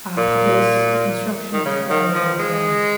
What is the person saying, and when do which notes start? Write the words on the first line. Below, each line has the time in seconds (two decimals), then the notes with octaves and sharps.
After this the construction of this flyover began.
0.17 A#2
1.53 D#3
1.65 C#3
1.90 D#3
2.14 F3
2.39 G#3